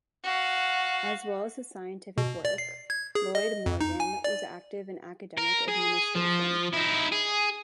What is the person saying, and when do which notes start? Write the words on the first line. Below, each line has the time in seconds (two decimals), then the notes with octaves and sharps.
As well as his scientific work, Lloyd Morgan was active in academic administration.
0.24 F#4 F5
2.18 B2
2.45 D5
2.58 C7
2.90 G#6
3.15 G#4
3.35 D#5
3.66 F2
3.81 D#4
4.00 G#5
4.24 D5
5.38 A#4
5.68 G#4
6.15 F3
6.74 D#4 E4
7.12 G#4